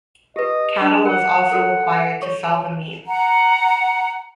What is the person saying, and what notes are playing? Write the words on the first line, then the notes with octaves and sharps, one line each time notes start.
Cattle was also acquired to sell the meat.
G4 B4 D#5
D4
A#4 F#5
F#4 A4 A#4
C#5 C#6
A5
F#5 A#5